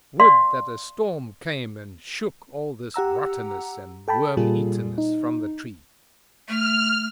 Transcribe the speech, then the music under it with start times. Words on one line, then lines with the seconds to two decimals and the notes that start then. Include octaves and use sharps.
Would that a storm came and shook all this rottenness and worm-eatenness from the tree!
0.20 D5 F5 C6
2.94 G4 F#5 A#5 E6
4.08 A4 G5 A5 B5
4.37 A#2 G3 A#3 F4 G#4 A4
4.98 D#4
6.49 A3 F6